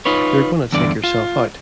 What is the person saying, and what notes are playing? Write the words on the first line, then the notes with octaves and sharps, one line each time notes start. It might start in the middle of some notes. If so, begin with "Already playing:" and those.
You're gonna take yourself out.
D#4 F4 B4 C#5
E2 G2 D3 D5
F4